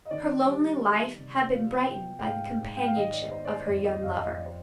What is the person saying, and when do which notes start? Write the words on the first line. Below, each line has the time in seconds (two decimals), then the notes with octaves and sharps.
Her lonely life had been brightened by the companionship of her young lover.
0.05 D#5
0.11 D#3 D5
0.46 G3
0.82 C4
1.18 C3
1.53 F3 F5
1.88 B3 G5
2.19 G5
2.24 G#2 F5
2.60 G#2
2.77 G5
2.85 F5
2.96 D#3 D#5
3.13 D5
3.31 B3 C5
3.45 D5
3.48 C5
3.66 F2 D5
3.76 D5
3.84 D#5
4.03 F2 F5
4.11 D5
4.20 D#5
4.38 F3 D5
4.46 C5